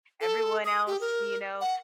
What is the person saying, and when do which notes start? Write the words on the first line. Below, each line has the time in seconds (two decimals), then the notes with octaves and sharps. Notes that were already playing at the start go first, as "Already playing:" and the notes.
everyone else, you know,
0.21 A4
0.65 D#6
0.87 G4
1.01 A#4
1.61 F#5